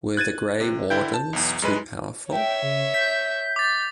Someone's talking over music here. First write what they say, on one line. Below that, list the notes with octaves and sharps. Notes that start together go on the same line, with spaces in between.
Were the Grey Wardens too powerful?
F#6 G#6 A6 D#7
C3
D3 E4 G5 G6
A5
B1 E2
F#2 G#3 B4
C#5 E5 G5
C#3
G6 B6
D6 A6